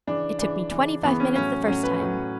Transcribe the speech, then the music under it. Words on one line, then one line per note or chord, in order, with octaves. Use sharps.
It took me twenty-five minutes the first time.
C#3 E3 D4
C#3 E3 D4
C#3 E3
C#3 E3 B3
C#4
A2 F#3 C#4
A2 F#3 C#4
B4
A2 F#3